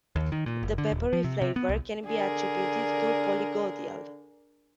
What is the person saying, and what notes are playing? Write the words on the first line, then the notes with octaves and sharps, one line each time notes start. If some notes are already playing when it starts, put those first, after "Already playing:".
The peppery flavour can be attributed to polygodial.
D#2
D#3
A#2
F#1
D3
D#1
F3
C3
C3
B3
C2
D3 G#4 A#4